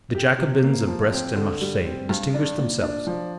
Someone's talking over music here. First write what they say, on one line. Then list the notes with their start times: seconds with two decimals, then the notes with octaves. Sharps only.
The Jacobins of Brest and Marseilles distinguished themselves.
0.15 G4
0.38 C3
0.63 A#3
0.87 F3
1.12 C4
1.36 D3
1.61 G3
1.85 C4
2.09 G2
2.34 D4
2.58 A#2
2.83 D4
3.07 F3